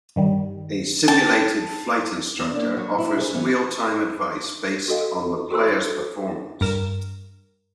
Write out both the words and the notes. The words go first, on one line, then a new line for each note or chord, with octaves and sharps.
A simulated flight instructor offers real-time advice based on the player's performance.
G2 D#3 G3
G5 A5
E2
A#3 D4
F#3 C#5
E4
G#4 B4 C5
E3 B3
F#4 A4 D#5 F5
F#4 A4 C5 C6 E6
G2 A#4 E7